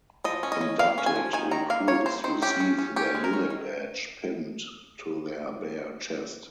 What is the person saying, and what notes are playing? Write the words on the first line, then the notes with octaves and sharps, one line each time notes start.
Inducted recruits receive their unit badge pinned to their bare chest.
F3 D#5
C#4
D#5
C#4
A#3 F5
C#4
G#5
F3
D#3 G#5
D#3 A#5
A#3 F5
A#3 C#5
A#3 C5
D#3 C5
C#4 G4
C#4
C#4
C#4 G4
G#3
A#4
C#4
D#3